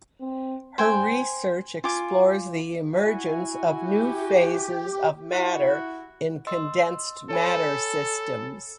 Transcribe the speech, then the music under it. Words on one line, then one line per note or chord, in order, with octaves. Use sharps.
Her research explores the emergence of new phases of matter in condensed matter systems.
C4
C5 G5 G#5
F4 G#5 D6
E4 F#4 G#5
G4
E4 F#4
D#5 C6 E6
A4 C#5 G#5 B5